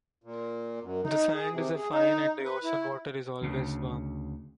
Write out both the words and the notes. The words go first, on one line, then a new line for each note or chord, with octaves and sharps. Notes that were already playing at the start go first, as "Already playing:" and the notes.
The sand is a fine and the ocean water is always warm.
A#2
F#2
D#4
G#4
C3
G#4
D#4
B4
E4
D2 C#3